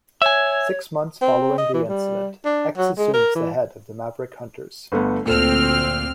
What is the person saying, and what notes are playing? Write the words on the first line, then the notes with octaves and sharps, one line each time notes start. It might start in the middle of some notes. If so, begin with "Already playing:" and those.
Six months following the incident, X assumes the head of the Maverick Hunters.
C#5 E5 G#5
C4
D#5
E3
G3
D4
F#3
G#3
A#4
E3
G1 A3 B3
D2 A#2 C4 A4 F6 E7